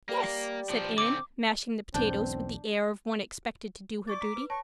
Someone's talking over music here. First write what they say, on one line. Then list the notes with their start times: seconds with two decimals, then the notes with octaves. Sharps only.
"Yes," said Anne, mashing the potatoes with the air of one expected to do her duty.
0.09 G3 A#3
0.70 F3 D4
0.98 D3 C4 D6
1.94 B1 E2 G#2 C4 D4 G5
4.07 D5 C#6 D6 A6
4.21 A#5 B6
4.36 B4
4.50 C#5 A5 C#6 A#6